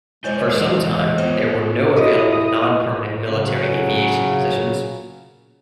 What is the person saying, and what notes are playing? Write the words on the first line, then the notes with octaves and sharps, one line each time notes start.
For some time there were no available non-permanent military aviation positions.
G#3 E4 C5 C#5 D#5 G#5 G6
E3 G#4
B3 F4 C5 C#5 F6
E4 F#4 G4 A4 D#5
C#3 F#3